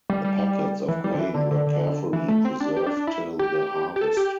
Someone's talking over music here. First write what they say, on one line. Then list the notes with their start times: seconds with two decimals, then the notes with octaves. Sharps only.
The packets of grain were carefully preserved till the harvest.
0.10 G3
0.24 G3
0.88 E3
1.04 G3
1.14 D3
1.19 E3
1.34 D3
1.51 D3
1.66 D3
2.13 E3
2.28 A3
2.45 C4
2.60 D4
2.76 G4
2.86 D4
2.97 D4
3.07 E4
3.39 G4
3.96 G4
4.01 A4
4.17 G4